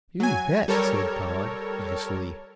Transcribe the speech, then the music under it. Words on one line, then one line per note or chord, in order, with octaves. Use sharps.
"You bet," said Pod, icily.
F#3 G#5
G3 A4 A#4 C#5